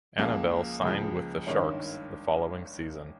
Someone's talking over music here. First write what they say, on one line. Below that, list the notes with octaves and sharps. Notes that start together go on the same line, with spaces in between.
Annabel signed with the Sharks the following season.
C#2 C#3 F3 A#3
C#2 C#3 F3
G#1 G2 D#3 C#4